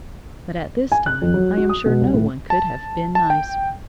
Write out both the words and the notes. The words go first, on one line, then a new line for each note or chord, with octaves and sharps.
But at this time I am sure no one could have been nicer.
G#5
F#6
F2
F#3
F#4
D#6
B2
C2
A2
A5
A5
G5